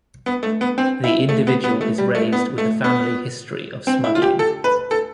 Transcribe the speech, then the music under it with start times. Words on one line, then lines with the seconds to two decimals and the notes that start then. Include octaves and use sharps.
The individual is raised with a family history of smuggling.
0.26 B3
0.43 A3
0.61 B3
0.78 C4
1.04 E4
1.29 A3
1.47 B3
1.64 B3
1.81 A3
1.98 G3
2.15 A3
2.33 B3
2.58 A3
2.84 B3
3.87 C4
4.04 E4
4.15 F4
4.22 G4
4.39 A4
4.64 B4
4.91 A4